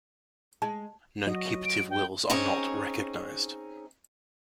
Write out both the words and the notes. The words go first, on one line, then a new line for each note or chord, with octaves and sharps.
Nuncupative wills are not recognized.
G#3 A5
F#3 F#4 D#5
D7
G5
C4 C#4 D#4 G#4 C#5